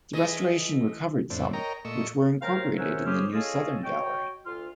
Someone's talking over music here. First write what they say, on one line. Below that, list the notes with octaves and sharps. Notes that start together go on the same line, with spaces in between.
The restoration recovered some, which were incorporated in the new southern gallery.
E3 A3 G#4 D#5
F2 A2 C4 D4
A#4 C#5 D#5 G5 A#5
A#2 A3 D#5 C#6 E6
A#4 C5 C#5 F5 G5 A#5
G#4 A#4 C5 C#5 E5 F#5
F2 C#4 G4 G#4 C5 F6
C#4 F4 G#4 A4 D#5
F#4 C#5 D#5 G5
D2 F4 F6